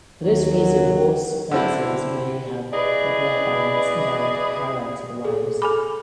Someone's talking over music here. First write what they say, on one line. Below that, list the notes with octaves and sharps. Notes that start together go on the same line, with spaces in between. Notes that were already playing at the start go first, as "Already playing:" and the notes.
For this reason horse fences may have rubber bands nailed parallel to the wires.
D#2 F#3
D3 C4 E4
E4 G#4 B4 D5 D#5
G#4 A4
A4 G#5 B5 D6